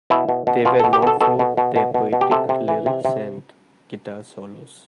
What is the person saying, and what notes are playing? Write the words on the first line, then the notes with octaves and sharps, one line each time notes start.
They were known for their poetic lyrics and guitar solos.
B2 E4
B2
B2
B2 F4
B2 A4
G4
B2 A4
B2 A4
B2
B2
B2
B2
B2
G4
C3 A4
C3
E3
C3
C3